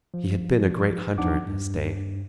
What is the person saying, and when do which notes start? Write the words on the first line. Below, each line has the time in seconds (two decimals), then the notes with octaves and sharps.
He had been a great hunter in his day.
0.14 F3
1.18 E2 F3 D4 D#4 F#5 D6
1.46 G2